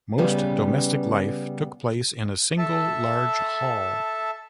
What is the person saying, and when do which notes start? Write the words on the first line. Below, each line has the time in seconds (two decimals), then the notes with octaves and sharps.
Most domestic life took place in a single large hall.
0.18 C#3 G3 B3
2.58 A4 E5 A5